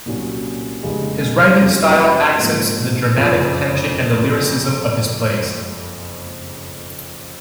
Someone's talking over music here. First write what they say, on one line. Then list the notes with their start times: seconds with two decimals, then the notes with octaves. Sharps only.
His writing style accents the dramatic tension and the lyricism of his plays.
0.06 C2 A#2 F#3 C#4
0.83 F1 D#2 C#3 G#3
1.61 F2 C3 F#3 C#4
2.38 G#2 F3 A#3
3.16 F#1 F2 C#3 F3